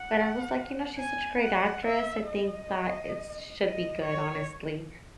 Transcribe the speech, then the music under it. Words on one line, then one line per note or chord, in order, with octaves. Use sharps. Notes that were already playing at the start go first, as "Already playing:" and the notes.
but I was, like, you know, she's such a great actress. I think that it should be good, honestly,
Already playing: F#5
G#5
F#5
E5
D#5
D#5
C#5